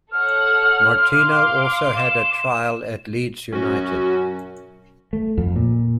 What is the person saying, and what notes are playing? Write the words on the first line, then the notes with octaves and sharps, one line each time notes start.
Martino also had a trial at Leeds United.
A4 C#5 F#5 F6
F5 C6 D6
E7
F#2 C#4 F#4
A3
F2
A#2